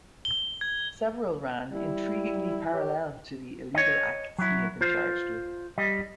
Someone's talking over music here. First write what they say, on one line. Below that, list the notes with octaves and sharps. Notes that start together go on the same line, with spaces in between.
Several ran intriguingly 'parallel' to the illegal acts he had been charged with.
G7
G#6
G3 E4
G4 C#5
C#5 D#5
F#3 E4
F4 C5
G3 D#5